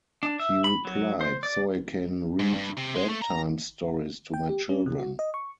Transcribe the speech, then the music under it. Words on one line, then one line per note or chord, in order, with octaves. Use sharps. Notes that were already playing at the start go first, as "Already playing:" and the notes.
He replied, 'So I can read bedtime stories to my children.
D4
E5
B5
F#3
C5
D5
G#2
G2
C3
G#3
A3
A#5
G5
G4
C#4
C3
F#4
D#5
C#6